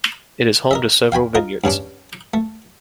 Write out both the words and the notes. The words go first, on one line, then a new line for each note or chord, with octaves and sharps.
It is home to several vineyards.
A#4 D#5 E5
F5 G5 G#5 B5
F4 A#4 D#5
G2 C#3 C#4 D4
A3